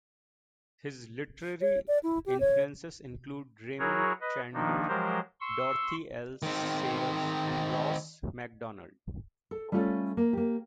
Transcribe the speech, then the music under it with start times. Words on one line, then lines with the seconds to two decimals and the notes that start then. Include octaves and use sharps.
His literary influences include Raymond Chandler, Dorothy L. Sayers, and Ross Macdonald.
1.61 C#5
1.88 D5
2.03 E4
2.26 G4
2.40 C#5
3.79 F#3 E4 F#4 G#4 A#4 C#5
4.21 B4 D#5
4.54 D#3 F3 A#3 D4 D#4
4.88 F3 F#3 G#3 G4 A#4 C5
5.41 C6 C#6 E6
6.43 D#3 C4
9.51 A4
9.72 G3 A3 C#4 F4 A4
10.17 A#3
10.33 A#3 G4